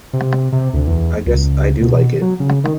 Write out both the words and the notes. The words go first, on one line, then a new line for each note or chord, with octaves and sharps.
I guess I do like it!
C3
C3
D2
E2
C#2
B2
F#3
C#3
D#3